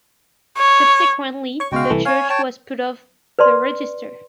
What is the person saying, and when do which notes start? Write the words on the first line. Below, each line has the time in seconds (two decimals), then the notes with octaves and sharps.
Subsequently, the Church was put off the register.
0.57 C#5
1.60 C#5 C#6
1.72 C#2 B2 G#3 F#4 F5 G5
1.90 C2 E3 A3
2.05 C#5 F5 G#5
2.30 C#5 G5 A5
3.39 B4 D5 A5 C6